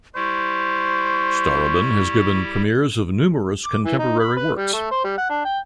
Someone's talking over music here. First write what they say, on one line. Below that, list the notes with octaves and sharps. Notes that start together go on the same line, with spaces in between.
Starobin has given premieres of numerous contemporary works.
G3 E4 G4 C5 C#6
D6
E3
D#4
B5
B4
G3
A3
C5
G3
F#5
D4
G5